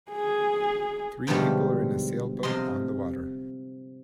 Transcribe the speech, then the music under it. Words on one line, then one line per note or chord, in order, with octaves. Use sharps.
Three people are in a sailboat on the water.
G#4
G#2 B2 D3 F3 G3 A3
C3 F3 D#5 C6